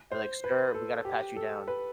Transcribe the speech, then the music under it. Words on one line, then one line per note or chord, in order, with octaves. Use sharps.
and, like, "Sir, we gotta pat you down."
C5
B4
A4
G4
A4
B4